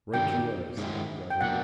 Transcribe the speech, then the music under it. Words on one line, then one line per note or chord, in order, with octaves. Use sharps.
"Right you are!" said Hoopdriver.
G2 D#3 G3 G5
G#2 D#3 G#3 C#4 E4
G5
B2 F#3 A#3 D4 F#5